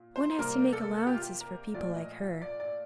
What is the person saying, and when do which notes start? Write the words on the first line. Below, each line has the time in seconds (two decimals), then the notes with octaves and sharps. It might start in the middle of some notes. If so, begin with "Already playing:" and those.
One has to make allowances for people like her.
Already playing: A#2
0.16 C5
0.39 C3 G3 A#3 A#4
0.73 A4
1.07 G4
1.14 F4
1.22 G4
1.40 A#4
1.74 A#2 F3 A3 D5
1.97 D#5
2.42 D5
2.60 D5